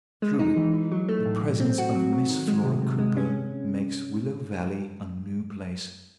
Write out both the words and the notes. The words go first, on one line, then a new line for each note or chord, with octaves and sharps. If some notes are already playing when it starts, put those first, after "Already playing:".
Truly, the presence of Miss Flora Cooper makes Willow Valley a new place.
G#3
D#4
E3
E3
F#3
A3
A2
A2
C4
F#4
F#3
F#3
D#3
G#3
C3
C3
G#3
C#4